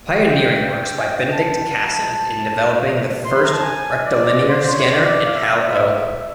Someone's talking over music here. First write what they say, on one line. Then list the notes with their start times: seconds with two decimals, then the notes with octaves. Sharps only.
Pioneering works by Benedict Cassen in developing the first rectilinear scanner and Hal O.
0.17 G5
0.98 G#5
1.04 G5
1.18 G5
1.32 A5
1.84 A#5
1.90 A5
3.25 C6
3.35 B5
3.44 A#5
3.53 A5
3.62 G#5
4.06 D5
4.49 C5
4.65 D5
4.71 C#5
4.92 D5
5.25 F5
5.35 E5